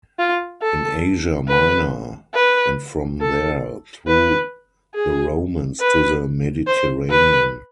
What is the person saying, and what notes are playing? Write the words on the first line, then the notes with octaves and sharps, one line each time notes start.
In Asia Minor and from there through the Romans to the Mediterranean.
F4
A4
B4
B4
A4
B4
G#4
B4
C5
B4